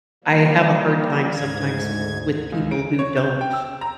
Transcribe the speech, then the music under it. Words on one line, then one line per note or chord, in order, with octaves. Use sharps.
I have a hard time sometimes with people who don't,
F3 G3 A#3
D2 G#2 G#6
C#2
D7
C#5
G6
G5
E6
A#5